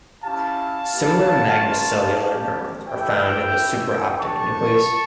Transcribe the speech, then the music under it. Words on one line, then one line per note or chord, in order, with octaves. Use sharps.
Similar magnocellular neurons are found in the supraoptic nucleus.
C#4 E4 G4 F5 A5
A#3 E4 G4
G3 A#3 C#4 F4
C#4 G4
A3 E4 G4 E5 G5
C#4 E4 G4
A3 D4 G4 A5 C#6